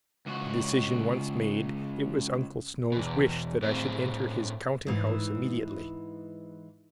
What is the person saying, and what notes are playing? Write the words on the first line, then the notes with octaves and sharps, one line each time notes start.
The decision once made, it was Uncle Snow's wish that I should enter his counting-house immediately.
C#2 F#4
E2 B2
A2 C4
G#2 E3